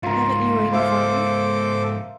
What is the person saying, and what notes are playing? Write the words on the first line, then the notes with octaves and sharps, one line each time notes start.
"Haven't you any father?"
G#2 C#3 F4 A#4
A4 C5 E5 F5 C6 D6